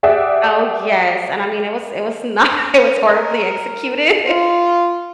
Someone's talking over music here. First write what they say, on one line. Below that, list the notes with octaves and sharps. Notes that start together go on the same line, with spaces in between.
Oh, yes. And, I mean, it was it was not it was horribly executed,
G4 G#4 D5 E5 F#5
A#4
F4